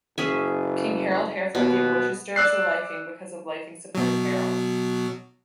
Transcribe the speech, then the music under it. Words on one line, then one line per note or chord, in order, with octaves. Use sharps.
King Harold Harefoot gave Worcester to Lyfing because of Lyfing's support of Harold.
F#1 C#4 G#4 E5
D#2 B2
D5 E6 F#6 C7
B2 F#3